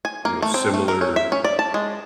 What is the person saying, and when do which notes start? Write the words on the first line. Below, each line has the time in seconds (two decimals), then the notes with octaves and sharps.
you know, similar
0.05 G#5
0.25 A#3
0.43 A3
0.54 C4
0.74 A3
0.88 A#4
1.01 C#4
1.16 E5
1.32 C#4
1.45 D5
1.59 A5
1.74 G#3